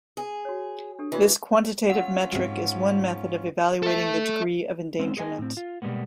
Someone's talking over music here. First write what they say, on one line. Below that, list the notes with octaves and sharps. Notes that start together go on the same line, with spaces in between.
This quantitative metric is one method of evaluating the degree of endangerment.
G#4
F#4 C#5
D4 G4 A4
E3 E4 F#4 D5
C#4 F4 F#5
G#2 C3 F#3
A4 E5
G#3 C4 C#4 C5
G#4 A#4 D#5 G5 G#5
A2 C4
F4
B2 G3 G#3 A#3 B3